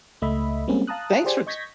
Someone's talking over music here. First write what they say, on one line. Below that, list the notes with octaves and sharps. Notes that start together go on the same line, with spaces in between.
thanks for t
C#2 A3 D#5 E5 B5
G3 G#3 A#3 C4 C#4 G#4
F5 A5 A#5 D#6 F#6
G4 G#4 C5 D5 G5 G#5
D#5 C#6 G6 G#6 A#6 B6